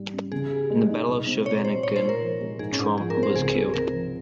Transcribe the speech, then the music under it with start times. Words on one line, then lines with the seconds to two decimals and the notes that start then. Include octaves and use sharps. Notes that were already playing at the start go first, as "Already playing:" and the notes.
In the Battle of Scheveningen, Tromp was killed.
Already playing: G#2 G3 G4
0.13 C#4
0.32 C#3 G#4
0.51 G4
0.70 G#3
0.89 D#4
1.08 C2
1.27 C4
1.45 A#2 C#5
1.65 G#3 C5
1.83 A#2 C#5
1.96 C5
2.02 A#2
2.09 A#4
2.22 F3
2.41 G#3
2.59 G#2 G#4
2.73 C#4
2.79 G#2
2.98 F3 G#4
3.10 A#4
3.16 C4
3.23 C5
3.35 C#2 G#4
3.55 C4
3.74 C3 A#4
3.93 F3